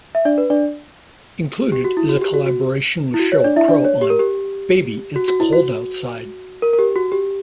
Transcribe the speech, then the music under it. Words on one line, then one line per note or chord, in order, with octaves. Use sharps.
Included is a collaboration with Sheryl Crow on "Baby, It's Cold Outside".
E5
D4 D5
B4
D4 D5
G4
F#4
E4
F#4
G4
F#4
F#4
E4
F#4
C#5
D4 D5
E4 E5
D4 D5
C#5
G4
A#4
G4
F#4
F#4
E4
F#4
A#4
A#4
G4
F#4
G4